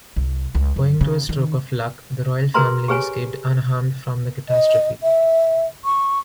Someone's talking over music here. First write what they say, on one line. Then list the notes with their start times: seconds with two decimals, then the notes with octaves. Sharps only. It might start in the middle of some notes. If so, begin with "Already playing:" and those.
Owing to a stroke of luck, the Royal Family escaped unharmed from the catastrophe.
0.16 C2
0.55 C#2
0.76 F#2
1.01 C#3
1.29 D#3
2.54 F#4 G#4 A#4 B4 A#5 C6
2.88 G4 G#4 B4 C#5 G#5
4.49 D#5
5.03 E5
5.85 C#6